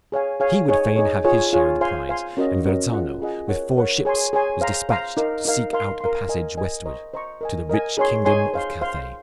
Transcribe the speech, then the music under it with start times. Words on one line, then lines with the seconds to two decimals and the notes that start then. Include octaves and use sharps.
He would fain have his share of the prize; and Verrazzano, with four ships, was despatched to seek out a passage westward to the rich kingdom of Cathay.
0.12 G#4 C#5 F5 G#5
0.40 G#4 C#5 F5 G#5
0.69 D#4 G#4 C#5
0.96 D#4 G#4 C#5
1.24 F4 G#4 C#5
1.53 F4 G#4 C#5
1.81 C5 F5 G#5 C6
2.09 C5 F5 G#5 C6
2.37 C#4 F#4 A#4 D#5
2.65 C#4 F#4 A#4 D#5
2.92 F4 G#4 D#5 F#5
3.21 F4 G#4 D#5 F#5
3.49 A#4 C#5 F#5
3.77 A#4 C#5 F#5
4.05 G#4 C#5 G#5 C6
4.33 G#4 C#5 G#5 C6
4.61 C5 F5 A#5
4.89 C5 F5 A#5
5.17 D#4 A#4 F5
5.45 D#4 A#4 F5
5.73 A#4 F5 C6
6.01 A#4 F5 C6
6.29 A#4 D#5 G#5
6.57 A#4 D#5 G#5
6.86 C5 D#5 A#5 C#6
7.14 C5 D#5 A#5 C#6
7.41 A#4 D#5 G#5
7.69 A#4 D#5 G#5
7.97 D#4 G#4 C#5 G#5 C6
8.25 D#4 G#4 C#5 G#5 C6
8.54 C5 F5 C6
8.81 C5 F5 C6